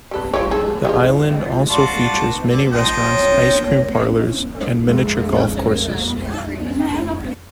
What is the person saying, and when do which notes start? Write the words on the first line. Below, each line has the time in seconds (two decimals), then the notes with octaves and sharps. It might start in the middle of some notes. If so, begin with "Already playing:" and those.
The island also features many restaurants, ice cream parlors, and miniature golf courses.
0.11 G3 A4
0.34 F3 E4 C#5
0.51 G#4 A4
0.85 G3 G#3 F4
1.69 D4 F4 F#4
2.48 D3
2.72 F3 D#5 G5
3.09 C#5
4.88 F2 G#3 A3